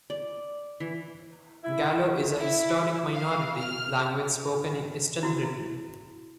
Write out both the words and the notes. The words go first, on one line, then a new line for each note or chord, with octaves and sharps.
Gallo is a historic minority language spoken in eastern Brittany.
D5
E3
E4
E4
F5
F6
E4 F#4